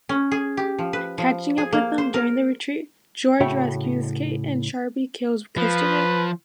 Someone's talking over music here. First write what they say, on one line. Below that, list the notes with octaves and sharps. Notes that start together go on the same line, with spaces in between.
Catching up with them during the retreat, Jorge rescues Kate and Sharpe kills Christopher.
C#4
G#4
G4
F3
B4
F3
G#4
A#3
C5
A#4
A2 C#3 F#4 C#5 E5 G5
F3 B4